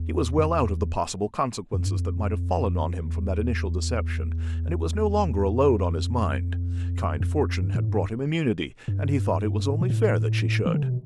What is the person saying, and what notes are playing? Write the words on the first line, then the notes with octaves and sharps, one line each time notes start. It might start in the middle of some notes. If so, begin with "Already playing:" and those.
He was well out of the possible consequences that might have fallen on him from that initial deception, and it was no longer a load on his mind; kind fortune had brought him immunity, and he thought it was only fair that she should.
Already playing: E2
F2
E2
F2
G2
F2
E2
F2
F2
G2
A2
G2
G2
A2
B2
A2
E3
D3
C3
B2